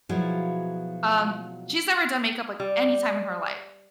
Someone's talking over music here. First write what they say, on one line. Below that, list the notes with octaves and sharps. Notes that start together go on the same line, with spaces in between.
um, she's never done makeup like any time in her life.
B2 F3 F#3 E4 F4 G#4
G3